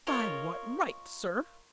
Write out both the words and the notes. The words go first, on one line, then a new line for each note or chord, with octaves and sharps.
"By what right, sir?"
F4 A#4 C#5 D#5